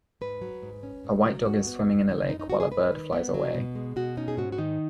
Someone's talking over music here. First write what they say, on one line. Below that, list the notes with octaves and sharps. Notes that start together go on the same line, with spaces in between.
A white dog is swimming in a lake while a bird flies away.
G#2 B4
F#3
G#2
C#4
G#2
F#3
G#2 F#4
B3
F#2
D#3
F#2 D#4
D#4
B3 F#4
G#4
G#2 B4
D#3
B3
F#3
B2
G#3
B2 F#4
C#4 D#4
G#4
G#2 F#4
F#4
D#3 D#4